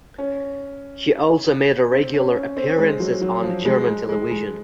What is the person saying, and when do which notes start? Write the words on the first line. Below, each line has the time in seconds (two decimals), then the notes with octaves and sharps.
He also made regular appearances on German television.
0.18 C#4
1.92 C4
2.14 C#4
2.35 C#4
2.57 C4
2.78 G#3
3.00 F#3
3.21 F#3
3.43 F3
3.65 G#3
3.87 G#3
4.09 G#3
4.31 G#3